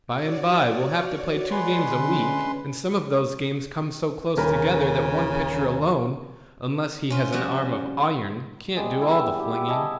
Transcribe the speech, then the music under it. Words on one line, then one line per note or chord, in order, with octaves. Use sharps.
By and by we'll have to play two games a week, and some of those games come so close together that one pitcher alone, unless he has an arm of iron, can't do all the flinging.
F#4 C#5 D5
G#3 B4 C6
D3 C#4
D#1 C#3 A#4 B5
C#4 F4
F3 G3 F#4
G3 G#3
B3 E4 G5
G4
D#5 E5 G#5 A5